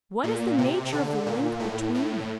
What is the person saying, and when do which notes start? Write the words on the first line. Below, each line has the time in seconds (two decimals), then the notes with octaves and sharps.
What is the nature of the link between them?
0.24 A#2
0.58 C3
0.92 D3
1.26 A#2
1.60 A2
1.95 A2